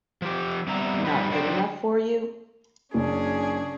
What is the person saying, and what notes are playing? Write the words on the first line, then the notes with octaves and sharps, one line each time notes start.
Not good enough for you?
F3 G4
F2 C3 G3 B3 E5 A#5
G2 F3 G3 D#4 B4
D3 F#3 A3 D4 C5 G5
F#1 C#4 D4 G#4